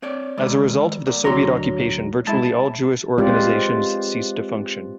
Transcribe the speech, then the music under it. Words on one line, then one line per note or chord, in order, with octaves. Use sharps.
As a result of the Soviet occupation, virtually all Jewish organizations ceased to function.
C4 C#5 D5
D#3 G#3 D5
B3 A#4 D5
D2 F#3 D4 C#5 A#5 C6
G#3 E4 G#4 A5
G#3 C4 F4 G4 B4 D5